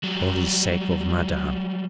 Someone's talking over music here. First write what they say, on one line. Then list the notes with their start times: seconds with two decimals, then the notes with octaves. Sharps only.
For the sake of Madame.
0.03 F#3 G3